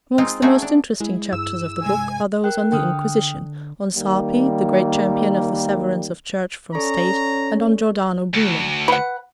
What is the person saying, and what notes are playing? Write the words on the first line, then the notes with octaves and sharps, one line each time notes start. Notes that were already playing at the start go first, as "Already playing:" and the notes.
Amongst the most interesting chapters of the book are those on the Inquisition, on Sarpi, the great champion of the severance of Church from State, and on Giordano Bruno.
G#3 C4 D#4 F4
A3 C4 C#4 D#4 F#4 G#4
D4
G#3 E4 G#4
G2 E6
G#2 C3 G#3 G#5
A#4 G5 F#6
D3 G5 D#6 F6
D#3 G3 A#3
C#4 A4 D5 A#5 C#6
D2
B4 F#5